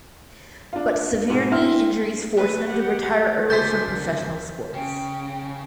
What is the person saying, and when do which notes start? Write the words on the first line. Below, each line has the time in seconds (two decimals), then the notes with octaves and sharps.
But severe knee injuries forced him to retire early from professional sports.
0.73 D4 F4
1.30 G#2 B2
1.52 D4 E4 E5 G5 C6 F6
2.35 A3 B4
2.69 G4 F#5
3.50 C#2 D3 F#4 C5 G#5 A5 G6 B6
3.85 A#4
4.74 C#3 G5